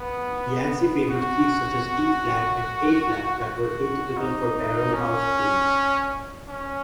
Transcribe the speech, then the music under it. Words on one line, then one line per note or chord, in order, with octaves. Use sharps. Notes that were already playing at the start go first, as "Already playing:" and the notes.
Yancey favored keys-such as E-flat and A-flat-that were atypical for barrelhouse blues.
Already playing: B3
F#4
F#4
D#4
C#4
C#4